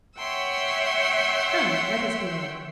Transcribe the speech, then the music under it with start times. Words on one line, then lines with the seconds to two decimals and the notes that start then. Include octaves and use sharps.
Come, let us be men.
0.17 C#5 E5 F#5 G5 C6 E6